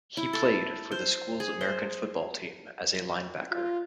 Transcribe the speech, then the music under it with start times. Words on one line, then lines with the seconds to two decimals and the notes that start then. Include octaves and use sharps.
He played for the school's American football team as a linebacker.
0.17 E4
0.33 A4
0.92 C5
1.40 G#4
1.61 C5
3.51 F4